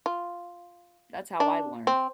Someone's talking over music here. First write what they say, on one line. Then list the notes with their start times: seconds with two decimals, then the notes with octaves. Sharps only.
that's how I learned.
0.06 F4
1.40 D4
1.87 C4